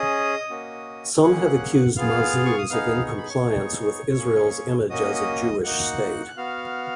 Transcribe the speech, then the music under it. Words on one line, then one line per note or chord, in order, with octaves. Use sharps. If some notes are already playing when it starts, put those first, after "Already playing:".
Some have accused Mazuz of incompliance with Israel's image as a Jewish state.
Already playing: C#4 G#4 D#5 D#6
A#3 C#4 F#4
A#3 C#4 G#4 F#5 F#6
B3 F4 G#4 F5 F6
C#6
D#6
B3 D#4 G#4 F5 F6
C#6
B5
C#5 C#6
B3 D#4 G#4
A#3 C#4 G#4
A#3 C#4 F#4 D#5 D#6
A#3 D#4 F#4 F#5 F#6
F#6
B3 F#4 F5 F6